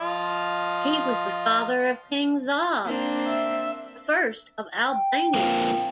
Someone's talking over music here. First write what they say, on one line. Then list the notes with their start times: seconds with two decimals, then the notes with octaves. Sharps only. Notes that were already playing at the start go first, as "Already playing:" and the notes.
He was the father of King Zog I of Albania.
0.01 F3 F4 D#5
2.86 A#3 C4 D4
3.28 E5
4.89 G5
5.35 A#3 C4 F4